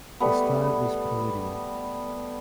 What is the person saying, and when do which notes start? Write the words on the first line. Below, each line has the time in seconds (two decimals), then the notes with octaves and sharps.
The style is Palladian.
0.20 G3 A3 B3